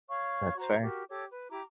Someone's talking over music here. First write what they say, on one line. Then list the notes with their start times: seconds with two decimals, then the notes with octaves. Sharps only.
That's fair.
0.09 C#5 F5 C#6
0.58 F#4 C5 A#5
0.83 F#4 G4 A#4
1.09 G4 A4 C#5 D6
1.31 B4
1.50 E4 G4 A#5 D6